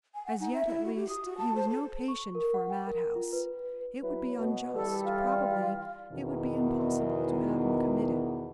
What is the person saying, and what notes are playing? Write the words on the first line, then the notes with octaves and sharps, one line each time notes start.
As yet, at least, he was no patient for a mad-house: it would be unjust, probably it would be impossible to have him committed.
G#5
F#5
D#4
E5
E4
F#4
G4
D#6
F#4
A5
C5
A4
C#6
A#4
F#5
G5
A#4
F4
B4
F#3 E4 B4
B2
E3 G3 A4
F4
E2 B2 D#3